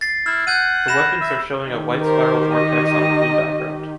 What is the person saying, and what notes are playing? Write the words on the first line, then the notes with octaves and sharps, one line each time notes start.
The weapons are showing a white spiral vortex on a blue background.
A6 C7
E4 F6
F#5 G6 G#6 D#7
B5 A#6 E7
E5
D#3 G4
A#4 C5
D#5